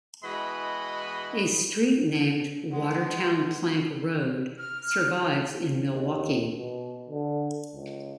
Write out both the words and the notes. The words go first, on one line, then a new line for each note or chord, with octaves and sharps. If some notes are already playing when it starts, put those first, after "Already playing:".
A street named "Watertown Plank Road" survives in Milwaukee.
B2 E3 G#3 F#4 D#5 B5
G#3 B3 F#5
F6
D#2
B2
D3
C#2